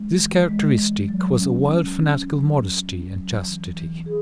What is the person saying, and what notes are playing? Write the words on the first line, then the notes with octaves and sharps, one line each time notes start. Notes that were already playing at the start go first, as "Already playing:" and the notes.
This characteristic was a wild fanatical modesty and chastity.
Already playing: G#3
E3
G#3
E3
F#3
C#4
C#4
C#4
F#3
F#3
C#4
F#3
E3
E3
G#4